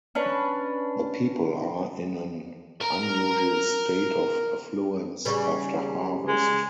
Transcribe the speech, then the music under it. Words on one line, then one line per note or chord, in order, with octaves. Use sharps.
The people are in an unusual state of affluence after harvest.
C#4 D4 B4
A#4 A#5
C#3 G3 B3
G#3